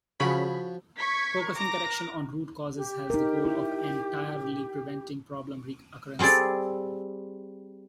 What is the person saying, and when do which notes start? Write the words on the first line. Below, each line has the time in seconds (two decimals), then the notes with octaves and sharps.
Focusing correction on root causes has the goal of entirely preventing problem recurrence.
0.20 C#3 F3 F#4 C#5 B5
0.98 C#6 G#6 B6
1.56 A#5 D6 A#6
2.76 G4
3.10 D#4 A#4
3.45 E4
6.19 G3 C4 G#4 A4 D5